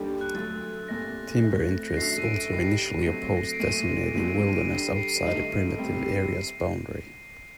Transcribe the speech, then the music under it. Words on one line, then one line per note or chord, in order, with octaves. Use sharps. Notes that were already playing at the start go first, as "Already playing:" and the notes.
Timber interests also initially opposed designating wilderness outside the primitive area's boundary.
Already playing: D#2 D3 G3 D4 G4
F#6
D2 D3 F#3 A6
C2 A#2 A3 A#6
A2 A3 C4
A#6
F#2 D3 A3 D4 F#4 C7
D#7
D7
G2 D#3 G3 C7
D3 F#3 A3 C4
A#6
C7
D7
A#2 F#3 A3 D#7
C2 A#2 F#3 D#7
D7
D#7
D7
D3 G3 D4 C7
C7
G2 D#3 A3 D#4 C7
D2 C3 G3 C4